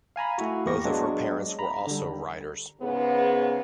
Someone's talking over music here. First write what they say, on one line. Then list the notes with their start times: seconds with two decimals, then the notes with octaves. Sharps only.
Both of her parents were also writers.
0.16 F5 G#5 A#5 B5
0.38 A3 E4 F#4
0.66 E2 A#3 G4 C#6 A#6
0.85 F#3 G#3 B3 D4
1.59 A#5 B5
1.87 D3 G3
2.81 G#2 C#3 B3